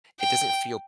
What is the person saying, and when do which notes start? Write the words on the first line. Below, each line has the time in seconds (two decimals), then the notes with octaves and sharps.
it doesn't feel
0.20 G5